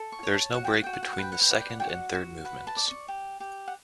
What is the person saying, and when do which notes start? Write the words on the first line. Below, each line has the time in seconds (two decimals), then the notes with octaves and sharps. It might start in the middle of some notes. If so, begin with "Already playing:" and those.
There is no break between the second and third movements.
Already playing: A4
0.12 C#6
0.23 C#5
0.34 A5
0.54 F#4 F#5
0.65 G5
0.74 F#5
0.84 F#4 G5
0.93 F#5
1.03 G5
1.13 F#5
1.18 B4 G5
1.32 F#5
1.41 G5
1.50 D5 F#5
1.60 G5
1.70 F#5
1.80 F#4 G5
1.89 F#5
2.14 F#4
2.45 B4 F#5
2.67 A5
2.76 D5
2.88 C#6
3.08 G4
3.40 G4
3.68 F#5